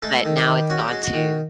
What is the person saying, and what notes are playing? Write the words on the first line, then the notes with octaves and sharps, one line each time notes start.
but now it's gone to
G#3 A3 A4
D#3
G3 G4
D#3
C#4 F#4
G4
G#3 F#4
F#4
D#3